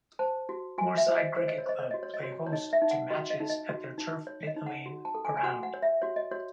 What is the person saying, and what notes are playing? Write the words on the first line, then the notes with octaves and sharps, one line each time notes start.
Moorside Cricket Club play host to matches at their Turf Pit Lane ground.
C5 A5
F#4
F#4 G#5
E5
C5
D#5
C5 C#5
D#5
C#5
C5 D#5
C#5
F#4 D#5
C#5
D#5
F#4 C#5
C#5
D#4 D#5
E5
D#4
F#5
F#4 D#5
D#5
D#4
D#5
F#4
D#4
C#5
D#5
D#4
F#5
F#4
A5
A4
G#5
G#5
F#4 F#5
F#5
C#5
E5
F#4 C#5
D#5
F#4 C#5